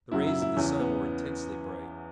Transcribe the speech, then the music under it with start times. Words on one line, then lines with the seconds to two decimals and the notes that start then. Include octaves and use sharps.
The rays of the sun were intensely bright.
0.12 F#2 C#3 F#3 E4
0.27 E4
0.42 E4
0.56 E2 C#3 E3 C#4
0.80 B3